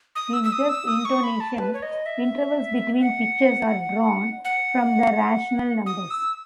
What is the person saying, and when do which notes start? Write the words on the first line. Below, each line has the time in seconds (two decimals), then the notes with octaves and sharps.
In just intonation, intervals between pitches are drawn from the rational numbers.
0.15 D#6
0.33 E6
0.44 E6
0.52 D#6
0.69 E6
0.88 D#6
1.05 C#6
1.24 B5
1.40 A5
1.59 B4
1.74 C#5
1.83 D#5
2.06 E5
3.01 F#5
4.45 F#5
5.86 D#6
6.10 E6